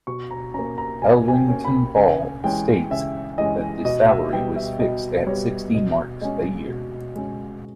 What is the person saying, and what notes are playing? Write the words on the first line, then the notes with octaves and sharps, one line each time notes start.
Elrington Ball states that the salary was fixed at sixty marks a year.
B2 C#6
A#5
A#3 C#4 A#5
A#5
B2 G#5
G#5
G5
A#3 C#4
B5
C#3 G#5
E3 G#3 C#4 G5
C#3 E5
E3 G#3 C#4 D#5
B2 D#5
E5
G3 B3 G5
E5
B2 D#5
G3 B3 C#5
B2 D#5
G#3 C#4 D#5
B2
G#3 C#4